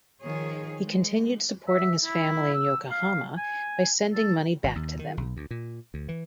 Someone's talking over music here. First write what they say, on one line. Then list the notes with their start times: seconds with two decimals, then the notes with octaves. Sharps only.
He continued supporting his family in Yokohama by sending money back to them.
0.21 D#3 F3 G#4 C#5
0.85 G#3
1.68 E5
2.05 E4
2.54 E6
2.91 F5
3.37 G#5
4.13 A4
4.64 G#1
4.76 D#2
4.99 D#3
5.17 B1
5.37 D2
5.51 A#2
5.94 D2
6.08 E3